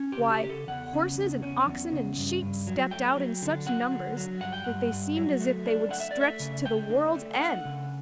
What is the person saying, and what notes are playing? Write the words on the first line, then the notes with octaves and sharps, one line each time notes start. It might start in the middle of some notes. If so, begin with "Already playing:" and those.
Why, horses and oxen and sheep stepped out in such numbers that they seemed as if they would stretch to the world's end!
Already playing: C#4
G4
C#3
G4
C#3 G4
A4
E2 F#5
C#3
E2
C#4
E2
C#3
G2
G2
F#3
A3 G5
F#3
D3
F#3 F#5
D3
F#3
G2 F#5
G5
G2 F#5
G2
F#3
A3
D4
A3 F#5
E5
A3 D5
E5
C#3
A3 G5
D4
A3
A3 F#5
C#3